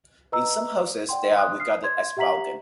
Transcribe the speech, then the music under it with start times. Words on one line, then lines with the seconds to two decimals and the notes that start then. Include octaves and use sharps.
In some houses they are regarded as vulgar.
0.32 B4 D#5 A#5 E6
1.09 D5 F#5 G5 C6
1.37 C6 D#6 F#6
1.60 D#6 F6 C7
1.84 C6 G#6
2.17 G4 E5 F#5 A#5 B6 F#7